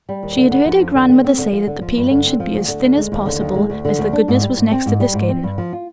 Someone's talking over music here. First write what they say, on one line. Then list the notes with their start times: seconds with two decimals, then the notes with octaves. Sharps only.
She had heard her grandmother say that the peeling should be as thin as possible as the goodness was next to the skin.
0.09 G3
0.23 D#2
0.37 D3
0.51 B3
0.66 F3
0.80 F2
0.95 D3
1.09 C4
1.24 C4
1.38 D3
1.52 F3
1.67 D3
1.81 F3
1.96 G2
2.11 D3
2.25 C4
2.40 F3
2.53 D2
2.68 D3
2.83 D2
2.97 G#3
3.12 D#2
3.26 D3
3.40 D#2
3.55 G#3
3.70 D2
3.85 D3
3.98 D2
4.13 D4
4.28 G#2
4.41 G3
4.57 G#2
4.71 C4
4.86 G#2
5.00 G3
5.14 G#2
5.29 C4
5.43 G2
5.58 F3
5.73 F4